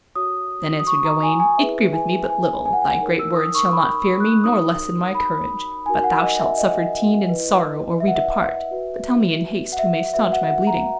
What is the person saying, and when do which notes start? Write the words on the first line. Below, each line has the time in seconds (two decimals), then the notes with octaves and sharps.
Then answered Gawaine, it grieveth me but little, thy great words shall not fear me nor lessen my courage, but thou shalt suffer teen and sorrow or we depart, but tell me in haste who may staunch my bleeding.
0.15 F#4 C#5 D#6
0.80 D#6
0.87 C#6
1.05 A#5
1.23 G#5
1.40 G#5
1.58 E4 G#4 B4 E5
1.93 G#5
2.30 G#5
2.65 G#5
2.73 F#5
2.82 G#5
3.00 D#4 A#4 C#5
3.19 E6
3.36 D#6
3.55 C#6
3.72 B5
4.20 F#6
4.44 D#4 F#4 A#4 C#5 D#6
5.15 B5
5.86 D#4 F#4 A#4 G#5
6.04 F#5
6.22 D#5
6.39 E5
6.58 D#5
7.29 E4 B4
8.00 E5
8.08 F#5
8.15 E5
8.71 F#4 B4
9.72 F#5
9.79 E5
10.14 F#4 B4 E5
10.32 F#5
10.50 F#5
10.67 A#5